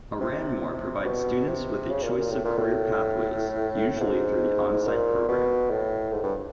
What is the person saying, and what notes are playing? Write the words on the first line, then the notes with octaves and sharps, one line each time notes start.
Aranmore provides students with a choice of career pathways, usually through the OnSite program.
C3
B2
C3
C#3
A#2
A#2
A2
A#2
A2
G#2
A#2
B2
A2
G#2
G2